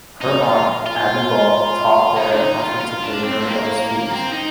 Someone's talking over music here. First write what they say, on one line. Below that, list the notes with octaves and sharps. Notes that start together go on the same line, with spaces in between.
Her aunt, Abbie Ball, taught there and offered to pay Muriel's fees.
D#4
F4
F4
D#4
D4
D#4
F4
F4
D4
C4
A3
A#3
C4
D#4